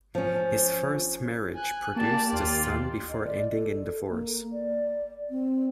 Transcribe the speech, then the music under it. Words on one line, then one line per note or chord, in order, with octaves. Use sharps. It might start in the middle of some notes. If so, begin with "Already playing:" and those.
His first marriage produced a son before ending in divorce.
F3 C#4
G#5 F#6
A#3 G4 D5 A5
D#2 F4
D#5
D5
A4
A#3
D5
C4